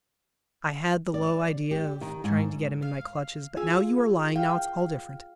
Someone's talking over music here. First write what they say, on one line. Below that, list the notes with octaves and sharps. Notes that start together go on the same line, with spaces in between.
I had the low idea of trying to get him in my clutches, but now you are lying, now it's all different.
D5
G4
D#3
G#2
F5
F4 G#4 F5 G#5 E6
F5 G5